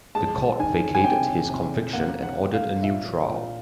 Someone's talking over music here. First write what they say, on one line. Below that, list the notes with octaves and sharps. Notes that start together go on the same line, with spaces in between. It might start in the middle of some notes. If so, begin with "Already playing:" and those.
The Court vacated his conviction and ordered a new trial.
G#3 A5
D#3 G#5
G#5
C3 G5
C3
A#3 F#5
F#5
G3
F5
A#2 E5
A#2